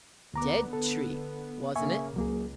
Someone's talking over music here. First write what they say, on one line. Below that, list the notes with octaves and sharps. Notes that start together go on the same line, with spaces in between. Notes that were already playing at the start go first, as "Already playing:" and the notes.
"Dead tree, wasn't it?"
D2 D3 B3 A#5 D6
A4
C#3 A#3 E5 G#5 C#6
C#2 F#3 A#3 G#4